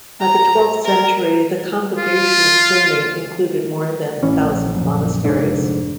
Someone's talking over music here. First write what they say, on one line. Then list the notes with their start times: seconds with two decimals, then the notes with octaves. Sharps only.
By the twelfth century the Congregation of Cluny included more than a thousand monasteries.
0.20 A#5
0.84 A#4
1.97 F4
4.23 A1 E3 C#4
4.44 A#1
4.75 A#1 F#2
5.25 F1 G#2 D3 D4